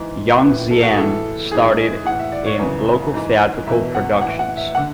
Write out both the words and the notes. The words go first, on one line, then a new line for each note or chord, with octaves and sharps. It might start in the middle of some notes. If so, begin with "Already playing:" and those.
Young Zien started in local theatrical productions.
Already playing: G#2 E3
A2 E3 B4
A4
F#4
G#4
A2 E3 A4
G#2 E3 G#4
A2 E3 F#5
E5
D5
C#5
F#2 C#3 E3 B4
G#2 E3
E2 B2 E5
F#5
A2 E3 F#5
F#5
E5
F#5
D3